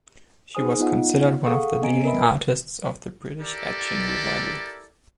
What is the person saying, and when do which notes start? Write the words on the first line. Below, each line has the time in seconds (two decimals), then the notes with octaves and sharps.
She was considered one of the leading artists of the British Etching revival.
0.55 D#4 G#4 C5 G#5 D#6
0.79 B3 D#4 F4 D#5 F#5
1.46 G#4 A4 F5 F#5 C#6 D#6
1.82 B3 C#4 D#5 G#5 A#5 D7
2.05 A#4 B4 D#5 E5 B5
3.40 E4 G4 A4 A#4 D5